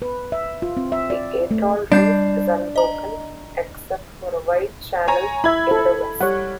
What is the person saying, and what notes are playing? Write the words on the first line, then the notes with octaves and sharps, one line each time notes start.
The atoll reef is unbroken except for a wide channel in the west.
B4
E5
F4
C4
E5
D5
A3
G3 D4 G6 C7
D#5 A#5
C#5 G#5 A#5
E4 E5 B5 G#6
A4
G3 C#5 F#5